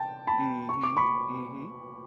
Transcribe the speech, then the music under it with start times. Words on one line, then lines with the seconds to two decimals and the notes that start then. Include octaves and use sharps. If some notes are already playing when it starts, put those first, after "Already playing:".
Mhm. Mhm.
Already playing: G5 A5
0.27 A5 B5
0.69 C#6
0.83 D6
0.97 B5 C#6